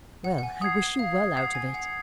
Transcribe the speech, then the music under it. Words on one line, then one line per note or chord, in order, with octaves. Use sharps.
'Well, I wish you well out of it.'
F#5
F#5
G#5
F#5 D#6 G#6 C7
F5
F#5 D#6 G#6 C7
G#5
F#5